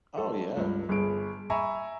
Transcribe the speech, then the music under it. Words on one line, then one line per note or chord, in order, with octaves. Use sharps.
Oh, yeah.
A4
C#2 G2
G1 G#4 B5 D7
E5 G#5 A#5 B5 C#6